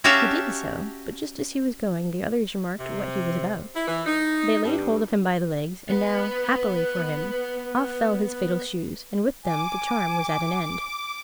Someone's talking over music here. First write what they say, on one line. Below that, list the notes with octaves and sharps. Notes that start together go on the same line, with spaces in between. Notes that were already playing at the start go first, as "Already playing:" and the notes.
He did so; but just as he was going, the others remarked what he was about; they laid hold of him by the legs; and now, happily for him, off fell his fatal shoes--and with them the charm was at an end.
C#4 F#4 G4 E5 F5 A5
C3
E4
E3
D#4
G2
B3 B4
G#5 D6